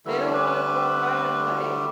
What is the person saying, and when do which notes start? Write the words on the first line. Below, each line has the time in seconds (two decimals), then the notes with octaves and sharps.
They don't wanna go outside and play.
0.06 D3 E3 G3 A3 E6
0.34 B4 D6